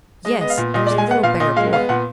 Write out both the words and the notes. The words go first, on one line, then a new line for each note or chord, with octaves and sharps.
"Yes; there's a little beggar boy."
G#3 D#5
B3 D#5
F5
A#2
A#2 D#5
D5
G#3
G#5
B3 F#5
A#2 F5
A#2 D#5
G#3 F5
B3 F5
A#2 F#5